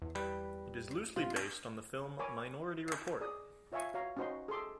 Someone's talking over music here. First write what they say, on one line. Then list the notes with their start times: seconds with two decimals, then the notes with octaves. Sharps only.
It is loosely based on the film "Minority Report".
0.02 E2
0.15 G3 B4
1.16 C3 F4
2.19 A#4 C#5 G#5 B5 D6
3.21 G#4 D5 D#6
3.72 F4 C#5 E5 F5 G#5 C#6
3.94 F#4 C#5 F5 A#5
4.17 C#4 D#4 F#4 C5 D#5 C6
4.48 G#4 A4 C6 D6